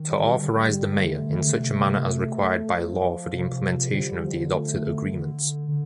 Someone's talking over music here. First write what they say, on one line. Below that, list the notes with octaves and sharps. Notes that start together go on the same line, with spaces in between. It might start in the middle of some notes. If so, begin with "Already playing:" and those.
To authorize the Mayor, in such a manner as required by law for the implementation of the adopted agreements.
Already playing: D#3
G3
D3 G3
G3
A3
D#3
D3
C3
F3
C3
D3 G3
F3
A3
D3
D3